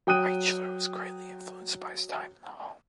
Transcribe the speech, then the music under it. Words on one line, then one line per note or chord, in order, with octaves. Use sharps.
Eichler was greatly influenced by his time in the home.
F#3 G5 D#6 F#6 D#7